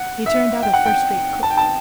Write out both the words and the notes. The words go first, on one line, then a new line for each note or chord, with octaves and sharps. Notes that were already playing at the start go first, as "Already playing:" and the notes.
He turned out a first-rate cook.
Already playing: F#5
E5
G5
F#5
G5
A5
G5
A5